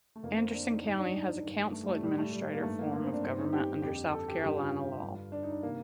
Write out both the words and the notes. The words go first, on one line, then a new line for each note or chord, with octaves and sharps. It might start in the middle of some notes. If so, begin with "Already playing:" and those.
Anderson County has a Council-Administrator form of government under South Carolina law.
A3
F2 D3 A#3
C4
D4
D#4
G2 D#3 D#4
D4
D#4
G2 D#3
A3
G3
A3
A2 G3
A3
G3
A3
A#3
G2 D#3 A3
A#3
A#3
C4
D4
G2 D#3 C4
D#4
G4
F2 D3 G4
G4
A4
G4
G2 D3 G4
F4
G2 D3
D4
D#4
D4
C3 D#3 A#3